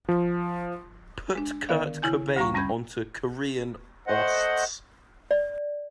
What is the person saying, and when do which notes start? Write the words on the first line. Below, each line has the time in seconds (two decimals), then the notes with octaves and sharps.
Put Kurt Cobain onto korean osts.
0.09 F3
1.35 G#3 D4
1.69 D3 D#3 B3 A#4 D5 F5
2.02 C#3 E4 G#5 G6
2.36 D2 G2 G3 F5 A#5 C#6
2.54 F#2 G3 C#4 B5 G6 G#6
4.07 A3 C5 D#5 F#5
5.31 D5